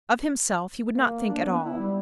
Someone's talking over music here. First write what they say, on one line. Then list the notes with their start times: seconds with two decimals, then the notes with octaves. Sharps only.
Of himself he would not think at all.
0.95 A#3
1.28 D4
1.45 B3
1.65 E4
1.78 G3